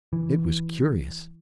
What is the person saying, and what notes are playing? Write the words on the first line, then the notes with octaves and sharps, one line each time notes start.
It was curious.
E3